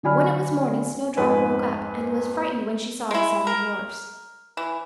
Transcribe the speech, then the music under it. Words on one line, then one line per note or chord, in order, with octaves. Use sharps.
When it was morning, Snowdrop woke up, and was frightened when she saw the seven dwarfs.
D3 F#3 D5 G#5 B5 F6
F2 G#2 B4 G#5
G#3 E4
A#4
E3